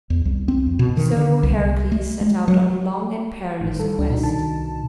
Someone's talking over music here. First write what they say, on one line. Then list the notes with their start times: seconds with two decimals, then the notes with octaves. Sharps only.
So Heracles set out on a long and perilous quest.
0.10 E2
0.25 C2
0.48 C4
0.66 F2
0.79 B2
0.97 D#3
1.17 D3
1.43 C2
1.92 A3
2.21 G#3
2.48 F#3
3.60 G#1 A2 D#3
3.78 G3 A4
3.99 D2 D4
4.10 B2 D4 D#4
4.23 C2 D#3 A5